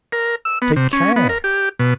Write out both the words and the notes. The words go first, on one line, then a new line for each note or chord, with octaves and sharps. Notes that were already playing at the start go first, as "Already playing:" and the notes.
Take care!
A#4
E6
B3
C3
C#4
B3
A#4
G4
B2